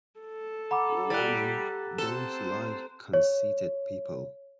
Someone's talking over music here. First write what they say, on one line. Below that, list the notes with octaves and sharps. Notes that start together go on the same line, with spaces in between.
Women don't like conceited people.
A4
F#5 A#5 B5 D6
G3 F#6 A6
C4 A4 C5 E7
C#5